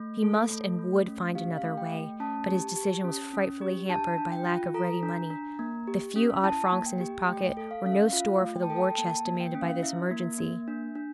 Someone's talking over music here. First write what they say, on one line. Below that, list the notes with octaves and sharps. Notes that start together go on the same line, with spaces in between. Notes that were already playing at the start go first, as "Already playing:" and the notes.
He must and would find another way; but his decision was frightfully hampered by lack of ready money; the few odd francs in his pocket were no store for the war-chest demanded by this emergency.
Already playing: A3
A4
A3
A3
C#4
G4 F5
F5
A3
G5
A3
C#4 A5
G4
G4
C#4
C#4
G4
D4 A5
D4
G5
F4
A4 A#5
D4
D4
A#3
G4
C#4
E4 A5
A#3
G5
G4
A3 G5
A4
F5
C#4 F5
E5
F4 F5
A3
G5
A5
A4 G5
A5
G5
A#3 A5
A#3
G5
C#4
F5
E4 E5
A#3
A#3
D4
D4